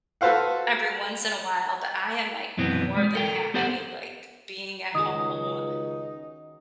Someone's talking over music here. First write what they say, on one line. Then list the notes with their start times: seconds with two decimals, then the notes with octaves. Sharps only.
every once in a while, but I am, like, more than happy, like, being at home
0.21 F#4 A4 B4 C5 F5 F#5
2.57 F#2 B2 E3 B3 C4
2.97 G#3
3.15 A4 A#4 G5
3.54 B3 G4 A4 C5 F#5
4.95 C#2 D#3 D#4 F#4 G#4 D#6